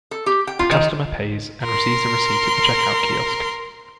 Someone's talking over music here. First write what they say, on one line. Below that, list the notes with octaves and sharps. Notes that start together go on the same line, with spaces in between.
The customer pays and receives a receipt at the checkout kiosk.
A4
G4
G5
F4
D#3
A#4 C6